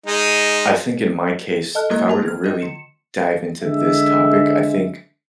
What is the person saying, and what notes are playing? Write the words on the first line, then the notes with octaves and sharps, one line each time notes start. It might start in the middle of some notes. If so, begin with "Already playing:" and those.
I think in my case, if I were to really dive into this topic, I think,
G#3 D#4
A4 D#5 A5 F6 F#6
G#3 A#3 E4 D#5 A#5
A#3 G4 A5
F6 G#6
F4 D#5
D3 C#7 E7
D3 G#3 E5